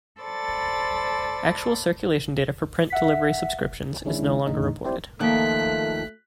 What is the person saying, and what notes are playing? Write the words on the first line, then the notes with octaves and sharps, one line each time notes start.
Actual circulation data for print delivery subscriptions is no longer reported.
A4 C5 D5 B5 A6
E5 F#5 B6
D#3 G#3 C#4 D4 E4
E2 A2 D3 D#4
C4 E4 G4 C5 D5
D#3 F3 A3 A#3 F#6 B6